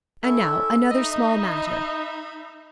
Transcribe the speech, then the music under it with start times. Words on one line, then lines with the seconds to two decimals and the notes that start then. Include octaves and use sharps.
And now, another small matter.
0.23 C#4 E4 A4 E5
0.91 D#4 D#5 E5 B5